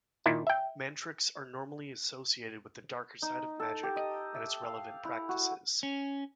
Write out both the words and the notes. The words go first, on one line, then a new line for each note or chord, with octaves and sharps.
Mantriks are normally associated with the darker side of magic and its relevant practices.
A#2 D#3 E4
E5 G5
D#4
A4
G4
D#5
E5
F5
E4
F#4
C#4